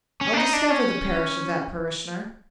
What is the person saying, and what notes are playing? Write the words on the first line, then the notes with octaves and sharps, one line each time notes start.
I'll discover the parish of that parishioner.
C#4
D4
D#4
D4
C#4